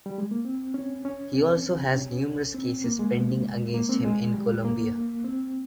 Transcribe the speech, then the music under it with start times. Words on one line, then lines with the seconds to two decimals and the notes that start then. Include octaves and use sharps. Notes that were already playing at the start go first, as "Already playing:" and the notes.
He also has numerous cases pending against him in Colombia.
0.06 G3
0.18 G#3
0.31 A#3
0.45 C4
0.74 C#4
1.05 C#4
1.34 C4
1.95 C#4
2.54 C4
2.84 A#3
2.99 G#3
3.74 A#3
3.89 C4
4.05 G#3
4.34 G3
4.64 A#3
5.25 C4